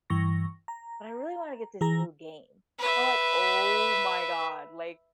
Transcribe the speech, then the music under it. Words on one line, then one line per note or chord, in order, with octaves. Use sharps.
but I really wanna get this new game." I'm like, "Oh my god, like,
G2 E3 C#6 A#6
A#5
E3 G#4 A#5 A#6
B4 E5